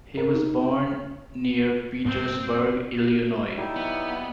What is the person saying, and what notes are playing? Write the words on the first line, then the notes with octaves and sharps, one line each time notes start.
He was born near Petersburg, Illinois.
A#4
D#4
D2 G2 A#3 C4
F#3 G3 D#4 E4
B3